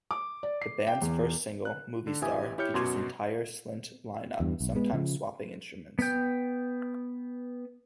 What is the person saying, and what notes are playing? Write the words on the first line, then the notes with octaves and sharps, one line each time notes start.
The band's first single, "Movie Star", features the entire Slint line-up, sometimes swapping instruments.
D6
D5
C7
G5
E2
F#6
D3
A1 E3 G4 E5 G#5 D#6
E4 G4 C#5 F6 G6 C#7
F#2 B2 F#4 C6 D6 G#6
E2 G2
B1
G#3 B3
C#3 F3
B3 G5